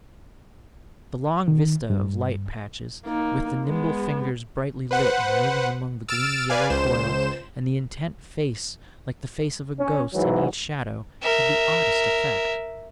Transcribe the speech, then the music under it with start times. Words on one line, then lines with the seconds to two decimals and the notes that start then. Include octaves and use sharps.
The long vista of light patches, with the nimble fingers brightly lit and moving among the gleaming yellow coils, and the intent face like the face of a ghost, in each shadow, had the oddest effect.
1.48 D#3
1.90 G2
3.07 A#3 D#4
3.66 G#3 B3
4.91 B4 C5 F#5
6.08 E6 F6 A6 D7 E7
6.50 B4 D5 F5 G#5
6.70 C#2 C5 E7
9.80 C#4
10.14 G#2 E3 F#3
11.23 A#4 E5